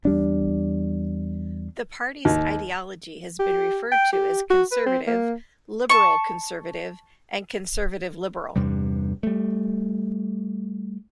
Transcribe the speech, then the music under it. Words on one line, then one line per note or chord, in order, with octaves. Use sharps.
The party's ideology has been referred to as conservative, liberal-conservative, and conservative-liberal.
E2 G3 D4
D#2
G4
G5
G4
F#4
B4
C4
A#3
A5 C#6
E2 G2 C3 G3
G3 A3